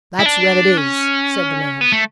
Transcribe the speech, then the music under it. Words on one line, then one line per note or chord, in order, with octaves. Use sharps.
"That's where it is," said the man.
E4
D4
C#4
B3
A3